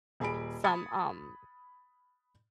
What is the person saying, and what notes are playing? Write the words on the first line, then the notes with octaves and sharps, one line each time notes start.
some, um,
D#1 G#4 G#5 B5 D7
B5 D#6 G#6 A6 C#7